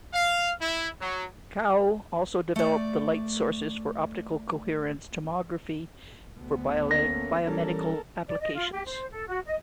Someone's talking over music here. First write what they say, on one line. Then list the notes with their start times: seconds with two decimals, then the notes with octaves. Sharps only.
Cao also developed the light sources for optical coherence tomography for biomedical applications.
0.13 F5
0.61 E4
1.01 F#3
2.56 A3 D5
6.38 D2 B3
6.91 A3 A#3 C#4 A#6
7.47 E3 G3 C#4 A4 A#4
8.27 D5
8.39 D#5
8.55 F4
8.72 G4
8.85 C5
9.11 A4
9.27 F#4
9.46 D#5